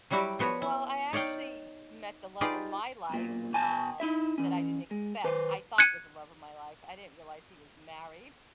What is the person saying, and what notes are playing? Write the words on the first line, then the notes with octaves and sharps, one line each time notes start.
Well, I actually met the love of my life, um, that I didn't expect. I thought was the love of my life, I didn't realize he was married.
F#3 G3 E4 F#4 G4
F3 B3 F#4 B4 C#5
E4
D#4 C#5 D5 F5 G5
D#4 F4 G4 G#4 B4 D5
B1 A#2
B2 G#5 A5
D#4 E4 E5
E3 C#4
G#3
D#3 B4 C5
F#6 G#6 C#7 D#7